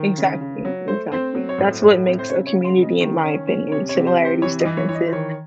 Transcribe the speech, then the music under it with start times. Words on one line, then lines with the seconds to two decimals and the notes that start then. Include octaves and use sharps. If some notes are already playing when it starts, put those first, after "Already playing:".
Exactly, exactly, that's what makes a community in my opinion, similarities, differences,
Already playing: D#3
0.18 C#3
0.41 C#3
0.65 F#3
0.88 A3 C5
1.12 C4 C5
1.35 F#3
1.49 C#5
1.58 A2 C5
1.82 A2
2.06 C4
2.19 C5
2.29 C#3 C#5
2.47 C#5
2.53 C#3
2.64 C6
2.77 C#3
2.82 D#5
3.01 D#3
3.24 C#4
3.47 C#4
3.71 C3 C#5
3.89 C#5
3.95 C3
4.07 C5
4.18 C3
4.25 C5
4.42 E3 C#5
4.60 D#5
4.65 E3
4.77 C#5
4.89 E3 C#5
4.95 D#5
5.07 C5
5.12 D#3 C#5